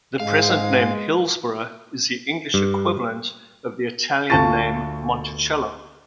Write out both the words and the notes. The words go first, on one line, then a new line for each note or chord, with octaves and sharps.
The present name Hillsboro is the English equivalent the Italian name Monticello.
G#2 G#3 F5
G2
D2 F4 A5 C#6 A6